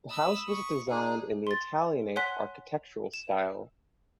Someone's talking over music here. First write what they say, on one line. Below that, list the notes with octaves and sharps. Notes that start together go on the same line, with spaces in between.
The house was designed in the Italianate architectural style.
B5 D#6 E6
C#6
D4 D#4 G#4
C6 A6
C#5 F#5 G#5 C6 F#6 B6
E7